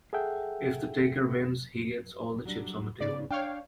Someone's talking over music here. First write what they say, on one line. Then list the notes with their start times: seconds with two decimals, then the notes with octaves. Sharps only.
If the taker wins, he gets all the chips on the table.
0.13 G#4 A4 E5 F#5 G5
2.45 F#3 G3 D4
3.01 G#2 C#3 B3 D5
3.31 D4 C#5 F5 G5